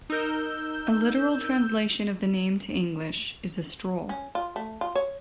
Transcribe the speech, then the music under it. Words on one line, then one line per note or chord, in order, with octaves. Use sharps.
A literal translation of the name to English is "a stroll".
D#4 A#4 E6 G6
C#4
F4
A3
F4
C#5